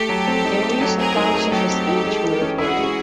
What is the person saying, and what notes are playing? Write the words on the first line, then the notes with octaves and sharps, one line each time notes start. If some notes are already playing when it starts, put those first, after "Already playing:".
Various accounts of his age were reported.
Already playing: A3 G4 A4
F#3
C4
D#4
A3
F#3
C4 G#4 A#4
D#4
A3
F#3 G4 A4
C4
D#4
G#3
E3
C#4
E4 F#4 G#4
G#3